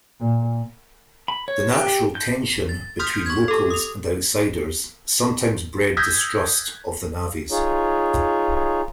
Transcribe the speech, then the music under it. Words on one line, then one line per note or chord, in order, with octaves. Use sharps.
The natural tension between locals and outsiders sometimes bred distrust of the navvies.
A#2
B5
C#5
G4
G6
A6
C6 D#6 F6 G6 B6
C#6 G#6
G4 A4
D#6 F7
D#6 E6 G6 G#6 A#6 B6
D#4 F4 G#4 C#5